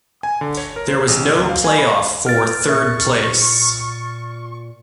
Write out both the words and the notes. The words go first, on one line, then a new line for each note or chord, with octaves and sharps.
There was no playoff for third place.
G#5
D3
C#5
A#4
C5
A1
D2
F5
G#5
B5
B4 F6 A6 D7
A#2 A#4 E5 C#6